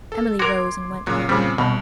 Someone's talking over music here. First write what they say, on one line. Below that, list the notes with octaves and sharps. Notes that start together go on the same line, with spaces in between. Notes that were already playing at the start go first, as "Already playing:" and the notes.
Emily rose and went home.
A4
F#4 A#4 C6 D6 G#6
A#2 C#3 F#3
A#2 C#3 G3 C4
C2 B2